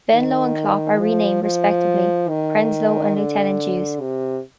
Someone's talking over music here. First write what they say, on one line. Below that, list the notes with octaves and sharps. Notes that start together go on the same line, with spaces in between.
Venlo and Klop are renamed, respectively, Prenslo and Lieutenant Joos.
D#3
F3
F3
D#3
D3
C3